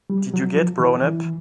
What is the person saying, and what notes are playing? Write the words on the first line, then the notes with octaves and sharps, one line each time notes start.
Did you get blown up?
G3
F#3
F3
E3
E3